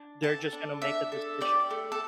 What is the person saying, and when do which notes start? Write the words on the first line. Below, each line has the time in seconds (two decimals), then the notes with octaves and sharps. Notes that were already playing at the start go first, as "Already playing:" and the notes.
They're just gona make a decision
Already playing: D4
0.22 A4 A5
0.53 D4
0.82 D4 E5
1.12 A4
1.41 G4 D5
1.70 A3
1.92 A4